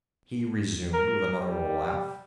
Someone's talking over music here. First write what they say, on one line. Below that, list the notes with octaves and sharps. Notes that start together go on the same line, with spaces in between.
He resumed with another little laugh.
A#4
G3